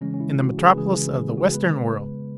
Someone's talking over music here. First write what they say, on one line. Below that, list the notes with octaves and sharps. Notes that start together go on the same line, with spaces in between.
In the metropolis of the western world!
C#3 E3 G#3 C#4
C#4
E4
F#4
G#4
B4
C#3 E3 G#3 G#4
F#4
G#4
C#3 G#3 B3 B4